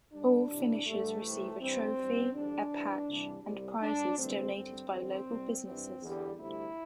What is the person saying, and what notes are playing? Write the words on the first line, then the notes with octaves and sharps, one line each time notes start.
All finishers receive a trophy, a patch, and prizes donated by local businesses.
G2 D3 G3 D4
C2 C3 E3 G3
G2 D3 G3 A3
C2 C3 E3
G2 E3 G3 C4
G2 E3 G3
E2 D3 G3 D4
C2 C3 E3
C2 C3 E3 G3
C2 C3 G3
G2 G3 D4
D2 C3 E3 G3 C4
G2 D3 G3 C4
E2 D3 G3 C4
C2 C3 G3
G2 E3 G3 C4
E2 D3 G3
D2 C3 G3 E4